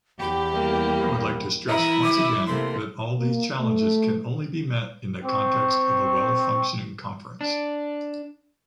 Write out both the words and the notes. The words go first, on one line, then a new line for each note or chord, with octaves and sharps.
I would like to stress once again that all these challenges can only be met in the context of a well-functioning Conference.
E2 G4 B5
G3 A#3
E3 E4 A#5 D#6
D6
C3 A3 A#3 C6
A#3
A3
C4 G5 C#6
D4